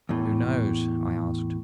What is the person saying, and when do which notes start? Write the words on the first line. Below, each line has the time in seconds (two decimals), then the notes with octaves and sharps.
"Who knows?" I asked.
0.09 E2 A2